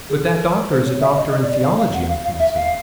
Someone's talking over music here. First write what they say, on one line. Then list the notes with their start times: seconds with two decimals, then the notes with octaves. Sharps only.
'But that doctor is a doctor in theology, I fancy.
0.09 G#4
0.24 A4
0.40 A#4
0.55 A#4
0.70 C5
0.85 C#5
1.00 E5
1.17 D#5
1.31 D#5
1.42 D5
1.52 D5
1.62 F5
1.78 F5
1.93 F#5
2.08 F5
2.24 F5
2.39 E5
2.54 F5